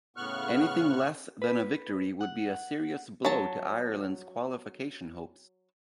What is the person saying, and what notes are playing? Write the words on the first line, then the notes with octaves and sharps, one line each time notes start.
Anything less than a victory would be a serious blow to Ireland's qualification hopes.
A2 C#3 B3 C#6 F6 F#6
B4
F#5
F#3 A5